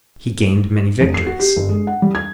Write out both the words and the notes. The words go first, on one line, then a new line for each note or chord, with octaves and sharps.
He gained many victories.
F1
C7
F#4
G4
G1
G#3
F#5
G3
G#6